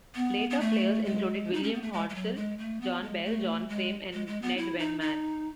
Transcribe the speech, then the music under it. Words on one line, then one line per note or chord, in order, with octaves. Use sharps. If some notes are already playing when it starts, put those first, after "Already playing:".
Later players included William Hodsoll, John Bell, John Frame and Ned Wenman.
B3
B3
A3
G#3
D#4
C#4
B3
A3
G#3
G#3
F#3
G#3
A3
B3
G#3
A3
G#3
G#3
G#3
B3
E4
D#4
D#4